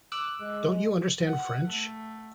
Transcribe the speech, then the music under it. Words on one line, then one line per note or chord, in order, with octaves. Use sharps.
Don’t you understand French?
D6 E6 F#6
G#3
F#5
A3